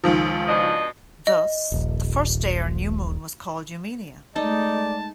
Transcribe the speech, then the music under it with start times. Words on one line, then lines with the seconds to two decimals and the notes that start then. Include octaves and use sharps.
Thus, the first day or new moon was called "Noumenia".
0.04 C#2 D#3 F3
0.48 B2 D4 D#5
1.27 D#5
1.72 D#1 A#1
4.36 G#3 A3 D#4 D5 A5